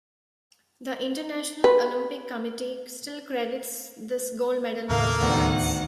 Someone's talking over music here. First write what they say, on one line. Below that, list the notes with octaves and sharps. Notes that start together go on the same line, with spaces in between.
The International Olympic Committee still credits this gold medal for France.
B4
D#2 A2 C#3 A3 A#3 A#4 F5
D2 D#3 B3 F#5